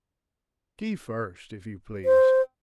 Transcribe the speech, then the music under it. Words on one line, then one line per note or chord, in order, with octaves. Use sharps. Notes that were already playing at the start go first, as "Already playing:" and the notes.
Tea first, if you please!
C5